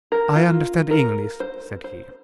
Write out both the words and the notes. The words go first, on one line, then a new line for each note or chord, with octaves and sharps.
"I understand English," said he.
A#4
F4
A#4
C5
C5